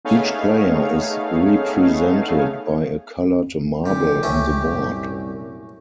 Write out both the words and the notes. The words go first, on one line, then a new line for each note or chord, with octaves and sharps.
Each player is represented by a coloured marble on the board.
A3 B3 D#4 G#4 C#5 F5
F1 A#2 D3 G4
C#2 A2 A3 C#4
C2 F#2 A#2